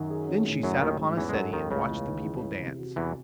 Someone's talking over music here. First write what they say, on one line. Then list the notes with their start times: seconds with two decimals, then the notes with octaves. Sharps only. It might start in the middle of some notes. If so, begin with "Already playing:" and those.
Then she sat upon a settee and watched the people dance.
Already playing: F#2 D#3 F#3
0.10 G#4
0.28 C#4
0.45 A2
0.63 F#2 F#3 C#4
0.81 D#2 D#3 F#3
1.00 G#2
1.17 E2 E3 C#4
1.29 G#3
1.35 F#2 F#3 A4
1.53 D#2 D#3 C#4
1.70 C#2 C#3 A3
1.89 E2
2.07 D#3
2.25 E3
2.43 E3
2.61 C3
2.79 F#4
2.96 E2 E3 F#4